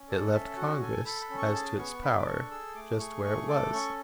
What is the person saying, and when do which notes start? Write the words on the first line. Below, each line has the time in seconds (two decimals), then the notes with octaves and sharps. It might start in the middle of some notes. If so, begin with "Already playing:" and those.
It left Congress, as to its power, just where it was.
Already playing: C#4
0.09 A4 D5
0.26 F#5
0.33 C#4 E5
0.57 F#4 F#5
0.81 A4 G#5
1.06 A4 B5
1.21 B5
1.30 C#4
1.38 C#6
1.54 G#4 A5
1.78 B3 C#6
2.02 D4 B5
2.18 D6
2.27 A4 C#6
2.51 G#4 E6
2.75 A3 D6
2.99 G#4 C#6
3.24 A3 C#6
3.48 A4 D6
3.72 C#4 C#6